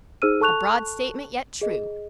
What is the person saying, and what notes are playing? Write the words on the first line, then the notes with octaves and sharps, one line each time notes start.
A broad statement, yet true.
D#4 G#4 C5 E6 F6 D#7
A4 A5 C#6 F#6 F7
G#4 D#5